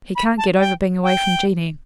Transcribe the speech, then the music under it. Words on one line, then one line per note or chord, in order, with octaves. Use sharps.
He can't get over being away from Jeanie.
B5
A5
G5
G5